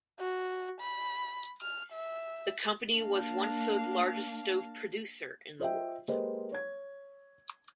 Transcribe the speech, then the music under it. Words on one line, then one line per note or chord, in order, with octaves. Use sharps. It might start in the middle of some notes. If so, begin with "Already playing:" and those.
The company was once the largest stove producer in the world.
F#4
B5
F6
E5
A#3 D4 F5
F4 C5 D#5 E5 G5
G#3 A#3 G4 B4 C5 D#5
C#5 G#6